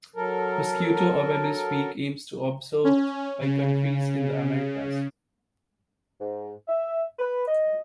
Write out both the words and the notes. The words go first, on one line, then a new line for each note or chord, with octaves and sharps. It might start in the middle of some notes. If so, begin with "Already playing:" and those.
Mosquito Awareness Week aims to observed by countries in the Americas.
F#3 A4 A#4
C#4
C#3
G#2
E5
B4
D#5